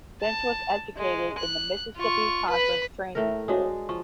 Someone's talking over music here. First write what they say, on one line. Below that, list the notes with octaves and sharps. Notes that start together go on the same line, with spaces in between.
Finch was educated in the Mississippi Conference Training School.
A5
G#3
F#6
F4 C#6
B4 B5
A2 A3 A#4
G#3 D4 F#4 C#5 D#6
F3 C#6